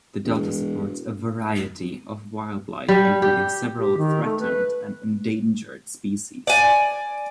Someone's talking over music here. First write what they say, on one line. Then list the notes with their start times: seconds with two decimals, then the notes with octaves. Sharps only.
The delta supports a variety of wildlife, including several threatened and endangered species.
0.25 E1
2.88 G3
3.22 G4
3.79 G4
3.98 D#3
4.24 A3
4.39 B4
6.47 D5 G#5